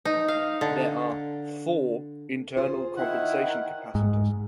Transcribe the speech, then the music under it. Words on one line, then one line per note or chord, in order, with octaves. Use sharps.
There are "four" internal compensation capacitors.
D#4
F5
D3
F4 G#4 C5
D#3 E4 F#5
G#2